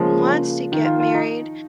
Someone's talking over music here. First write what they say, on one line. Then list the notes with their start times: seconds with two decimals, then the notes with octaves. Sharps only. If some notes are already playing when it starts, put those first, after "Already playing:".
wants to get married,
Already playing: C#3 F3 G#3 A#3 F4
0.72 D#3
0.86 F4
1.00 F4
1.14 D#4